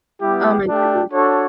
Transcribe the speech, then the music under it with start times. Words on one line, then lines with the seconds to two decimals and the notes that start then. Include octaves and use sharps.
Oh my goodness.
0.21 G3 B3 E4 G4
0.66 A3 D4 G4
1.12 D4 F#4 A4 C#5